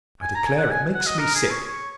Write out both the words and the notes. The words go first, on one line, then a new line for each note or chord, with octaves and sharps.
I declare it makes me sick.
G#5
A#5
G#5
F#5
G#5
F#5
D#5
A#4
G#4
C#5
C#5